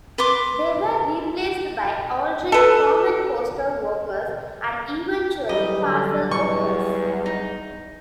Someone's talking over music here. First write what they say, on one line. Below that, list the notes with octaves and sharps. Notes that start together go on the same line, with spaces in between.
They were replaced by already common Postal Workers and eventually Parcel Workers.
B4 C6 D6
A4 B4
E3 F#3 G3 D#5
D3
E2 C#6
D#4